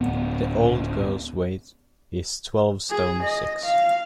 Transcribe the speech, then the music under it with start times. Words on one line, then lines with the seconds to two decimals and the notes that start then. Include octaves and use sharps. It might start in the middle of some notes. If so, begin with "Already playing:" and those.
The old girl's weight — is twelve stone six.
0.01 D1 B3
2.90 G#4
3.23 D#5
3.63 F5